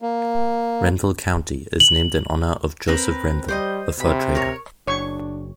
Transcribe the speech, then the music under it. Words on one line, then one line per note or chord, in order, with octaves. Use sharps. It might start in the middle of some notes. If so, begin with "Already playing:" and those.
Renville County is named in honor of Joseph Renville, a fur trader.
A#3
F#7
C4 A#4 B4
G3 C5 D5 D#5
C3 B5
A#4 C#5
F#1 D4 C#5 C#6